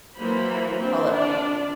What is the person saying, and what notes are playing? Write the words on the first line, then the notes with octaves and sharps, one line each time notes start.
I call it my
E3 F#3 A#3 C5 B5
C4 D4
D4 F4 D5